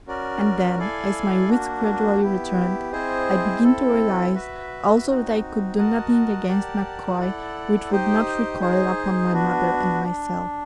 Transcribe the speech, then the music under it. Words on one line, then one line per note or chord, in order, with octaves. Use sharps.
And then, as my wits gradually returned, I began to realize also that I could do nothing against MacCoy which would not recoil upon my mother and myself.
C#4 F#4 A#4 D5
E4 A4 D5 F5 G#5
A#3 D4 F#4
B3 E4 G4
C4 E4 G#4 C5 D#5
C4 E4 A4
F#4 B4 E5
C4 D#4 F#4
F#4 A#4 D#5 F#5 A5
G4 A#4 D5 F#5 A5
E4 A4 D5 F#5
D#4 G4 C5 D#5 G5
D#4 G#4 C5 D#5
B3 D4 F#4
D4